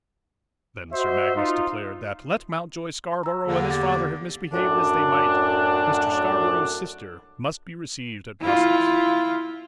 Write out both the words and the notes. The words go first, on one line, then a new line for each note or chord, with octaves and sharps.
Then Sir Magnus declared that, let Mountjoy Scarborough and his father have misbehaved as they might, Mr. Scarborough's sister must be received at Brussels.
F#4 C5 D#5 E5
D#4 F4
A#5 E6
E2 D3 A#3
G4 D6 A6
F#2 A2 D4
E4 F4